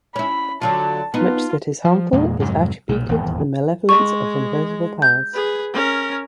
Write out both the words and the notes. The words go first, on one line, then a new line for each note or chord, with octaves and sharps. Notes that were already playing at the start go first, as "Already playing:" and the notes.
Much that is harmful is attributed to the malevolence of invisible powers.
C#4 E4 B5
D3 F#3 F4 A5
B3 D#4 F4
F3
E2 A#2 G#3
F2 G#2 C3 F#3
B1 A#2
D#1 G#1 E2
G#3 C#6
G6
G#4 B4
C#4 A#4